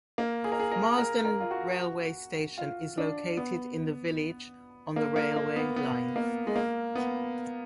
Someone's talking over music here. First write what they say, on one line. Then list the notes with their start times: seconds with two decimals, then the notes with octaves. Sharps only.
Marsden railway station is located in the village on the railway line.
0.18 A#3
0.44 G#4
0.52 A#4
0.59 G#4
0.72 A#4
0.98 A#4
1.25 A#4
1.40 F4
1.51 F#4
2.58 F4
2.98 D4
3.37 B3
4.96 A#3
5.16 A#3
5.36 A#3
5.56 B3
5.76 B3
6.16 A#3
6.47 G#3
6.56 A#3
6.95 B3